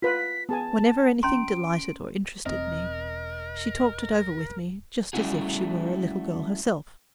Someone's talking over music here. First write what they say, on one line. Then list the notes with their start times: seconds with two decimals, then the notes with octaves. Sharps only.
Whenever anything delighted or interested me she talked it over with me just as if she were a little girl herself.
0.02 F4 B4 B6
0.49 B3 G#4 G#5 A5
1.23 C#4 A#5 C6 D7
2.46 E1 C4 A#4 D#5
5.13 G3 A3 C#4 E4 F#4 G#4